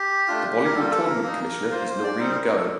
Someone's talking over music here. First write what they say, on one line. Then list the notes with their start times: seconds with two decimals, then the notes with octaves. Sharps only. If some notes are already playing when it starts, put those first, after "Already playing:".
The volleyball tournament commissioner is Noreen Go.
Already playing: G4
0.28 A3 D4 F4
0.65 A#4
0.75 G3 A#3 F4 A4
0.91 A4
1.07 A#4
1.23 A#3 D#4
1.70 A#3 F4 C5
1.87 C5
2.04 D5
2.18 G3 C4 D#4 C5
2.31 A#4
2.42 A#4
2.55 A4